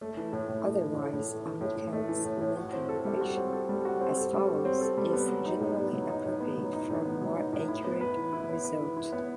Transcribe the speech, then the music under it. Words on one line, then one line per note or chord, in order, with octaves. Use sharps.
Otherwise a Michaelis-Menten equation, as follows, is generally appropriate for a more accurate result.
A3
E3
A2
A2
A3
E3
A2
A2
A3
E3
A2
A2
A3
E3
A2
A2
F#4
C4
A4
G3
F#4
C4
A4
G3
F#4
C4
A4
G3
F#4
C4
A4
G3
B3
F#3
D#4
A2
B3
F#3
D#4
A2
B3
F#3
D#4
A2
B3
F#3
D#4
A2
E4
B3
B4
E3
E4
B3
B4
E3
E4
B3